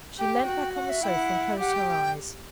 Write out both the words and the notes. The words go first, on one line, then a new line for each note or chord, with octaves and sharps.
She leant back on the sofa, and closed her eyes.
G4 G5
F#4
F#5
E5
E4 G5
F#5
G4 F#5
G5